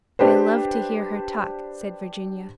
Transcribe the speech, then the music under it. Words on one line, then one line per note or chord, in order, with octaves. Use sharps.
"I love to hear her talk," said Virginia.
D4 G4 B4 C5